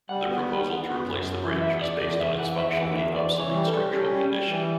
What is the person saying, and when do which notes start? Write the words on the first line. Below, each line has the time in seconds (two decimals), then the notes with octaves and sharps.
The proposal to replace the bridge was based on its functionally obsolete structural condition.
0.09 G3 F#5
0.28 B3
0.48 G3
0.67 B3
0.86 B3
1.04 F#2
1.25 F#2
1.43 E3
1.62 E2 E5
1.81 E2 D5
2.00 E2 D5
2.19 E2 E5
2.38 E3 F#5
2.58 E2 E5
2.69 E5
2.77 E3 F#5
2.97 E2 E5
3.15 E3 D5
3.34 E3
3.40 C#5
3.53 G3
3.66 A4
3.72 G3
3.92 C#4 G4
4.11 G3
4.30 G3
4.49 E3